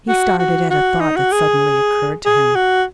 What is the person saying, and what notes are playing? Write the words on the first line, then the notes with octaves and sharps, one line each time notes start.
He started at a thought that suddenly occurred to him.
F#4
F#4
F#4
D#4
F#4
G#4
G#4
F#4